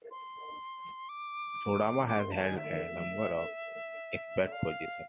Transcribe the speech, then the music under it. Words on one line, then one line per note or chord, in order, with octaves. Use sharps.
Sotamaa has held a number of expert positions.
C6
D6
D6
C6
A5
G#5
E5
F5